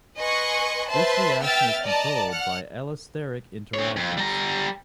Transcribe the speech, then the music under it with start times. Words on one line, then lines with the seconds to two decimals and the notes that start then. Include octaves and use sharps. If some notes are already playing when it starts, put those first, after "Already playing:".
This reaction is controlled by allosteric interactions.
0.17 B4 D#5 G#5 C6 C#6 F#6
0.89 B4 C5 E5 A5 C6
1.43 B3 E5 G5 E6 F6 A6
1.84 D5 D#5 A5 A#5
2.29 F#5 F6
3.74 C4 C#5
3.96 F2
4.17 G3 A#5